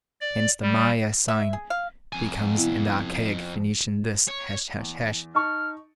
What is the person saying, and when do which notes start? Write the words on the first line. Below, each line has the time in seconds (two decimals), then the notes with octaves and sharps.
Hence the Maya sign becomes in the archaic Phoenician this, ### .
0.21 D5
0.62 G3
1.28 E5
1.53 G#4
1.70 F5
2.13 F2 G#5
2.57 C3 B3 E4
4.28 C#5
4.78 E2
5.35 D#4 A5 C#6 F6